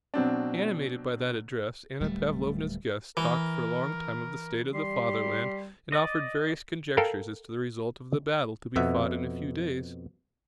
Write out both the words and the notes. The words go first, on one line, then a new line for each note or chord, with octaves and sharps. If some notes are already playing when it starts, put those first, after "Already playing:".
Animated by that address Anna Pavlovna's guests talked for a long time of the state of the fatherland and offered various conjectures as to the result of the battle to be fought in a few days.
B2 F#3 C4 D4
D1 G3 A3
E3 A#4
G3 C6
D5 D#5
A4 A#4 F5 G5
F2 B2 E5 F#5